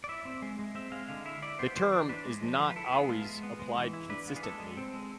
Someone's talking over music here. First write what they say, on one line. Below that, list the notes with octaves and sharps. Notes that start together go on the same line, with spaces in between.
The term is not always applied consistently.
D5
E4 E5
C4
G#3
G#3
C4 E5
G#3 F5
D3 F5
E4 E5
E4 D5
B3 C5
E3 C5
E3 D5
D4 B4
G#3
F3
F3
B4
E4 A4
B3 G#4
G#3 F4
G#3
B3
G#3
E3
E4
D4 B4
B3 F4
G#4
G#3 A4
G#3
C4
G#3